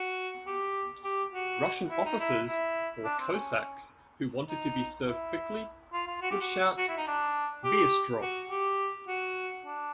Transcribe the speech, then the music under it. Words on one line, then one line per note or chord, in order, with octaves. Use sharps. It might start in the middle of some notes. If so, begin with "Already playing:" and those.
Russian officers or cossacks who wanted to be served quickly would shout "bystro".
Already playing: F#4
G4
G4
F#4
E4
D#4
E4
E4
D4
C4
C#4
D#4
E4
F4
F4
F#4
G4
F#4
F#4
E4
D#4
D4
G4
F#4
G4
F#4
D4